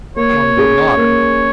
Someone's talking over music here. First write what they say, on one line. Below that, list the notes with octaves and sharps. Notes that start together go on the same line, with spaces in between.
Longbill nodded.
A#3 C#5
C#4 G#4
A#3